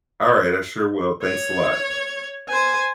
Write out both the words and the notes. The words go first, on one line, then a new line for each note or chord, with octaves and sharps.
Alright, I sure will, thanks a lot.
C#5
C5 G#5